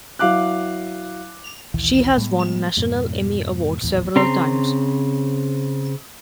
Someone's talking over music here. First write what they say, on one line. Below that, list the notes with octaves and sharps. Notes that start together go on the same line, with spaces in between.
She has won national Emmy Awards several times.
F#3 E4 F5 D6 F#6
A#1 D#2 E3
A2 G3 G#3 B3
F2 G#2 B2
D1 A#1 E2 A2
C#3 C4 A#5 C6